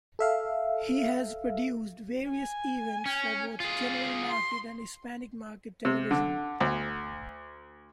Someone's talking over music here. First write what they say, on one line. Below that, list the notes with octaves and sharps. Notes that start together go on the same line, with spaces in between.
He has produced various events for both general market and Hispanic market television.
A4 E5 F5
G#5
C#4
F4 G#4
C6
C3
D3
D2